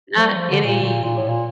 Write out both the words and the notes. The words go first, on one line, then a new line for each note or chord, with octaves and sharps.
not any,
F3
G3
F3
D3
A#2
A#2
A#2
A2
A#2